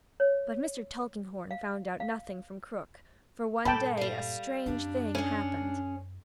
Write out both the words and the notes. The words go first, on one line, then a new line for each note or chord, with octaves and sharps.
But Mr. Tulkinghorn found out nothing from Krook, for one day a strange thing happened.
C#5
F5
F5
G2 A#2 A4 G5 A5 B5
G3 F5
F#2 C4 D4
C#4 G#4